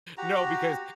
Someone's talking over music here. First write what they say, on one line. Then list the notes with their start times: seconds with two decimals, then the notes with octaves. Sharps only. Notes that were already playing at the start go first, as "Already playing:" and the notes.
"No, because
0.18 F#4 G4 A#5